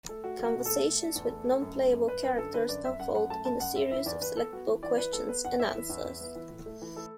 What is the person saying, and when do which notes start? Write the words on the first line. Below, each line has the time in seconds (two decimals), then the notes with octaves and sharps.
Conversations with non-playable characters unfold in a series of selectable questions and answers.
0.09 A3 A4
0.24 A3 F#4
0.39 A3
0.44 F#4
0.55 B2
0.65 A3 A4
0.85 A3
1.01 D4
1.15 E2
1.31 A3
1.47 A3
1.62 F#2
1.77 A3
1.92 F#2
2.07 F#2 B4
2.23 F#2 B4
2.38 D3 A4
2.54 D3 B4
2.69 F#2 D5
2.85 F#2 E5
2.99 F#2 F#5
3.15 F#2 F#5
3.30 A3 A5
3.45 F#2 A5
3.60 F#2 F#5
3.75 F#2 E5
3.91 E3 E5
4.06 E2 D5
4.21 E2 B4
4.37 B3 A4
4.52 B3 F#4
4.67 E3
4.83 E3 D5
4.98 E3 B4
5.13 B3 A4
5.29 B3 B4
5.45 E2 F#5
5.59 E2 E5
5.75 E3
5.89 E2
6.05 E2
6.21 B3
6.35 E3
6.51 A2
6.66 A3
6.82 E3
6.96 A3 A4